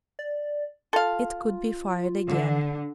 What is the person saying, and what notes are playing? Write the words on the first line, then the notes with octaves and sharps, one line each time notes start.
It could be fired again.
D5
F4 A4 F5
D3